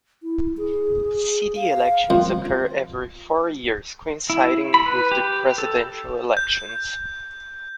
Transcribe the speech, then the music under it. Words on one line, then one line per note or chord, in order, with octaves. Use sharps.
City elections occur every four years, coinciding with the presidential elections.
E4
G#4
F5
F2
E4
B5
B4
G4
A4
G6